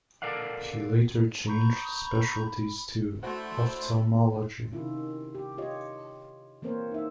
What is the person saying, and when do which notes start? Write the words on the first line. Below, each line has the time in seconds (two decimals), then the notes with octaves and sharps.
He later changed specialties to ophthalmology.
0.22 A4 A#4 D5 F5 F#5
1.47 A#5 B5 C#6 G6
3.23 A3 D4 E4 F#4 C5 B5
4.72 C3 D#3 C#4 E4 F4
5.35 G4
5.58 F4 G4 C#5 D#5
6.62 E3 A#3 C4 A#4 C5 C#5
6.91 D#4 E5